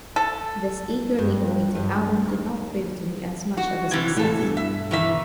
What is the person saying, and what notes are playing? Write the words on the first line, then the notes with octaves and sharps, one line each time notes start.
This eagerly awaited album did not prove to be as much of a success.
A4
G2
G2
D#2
F#4
C3 E3 G#6 A6
A2 E3 A4
G2 B2
E5
D#3 E3 E5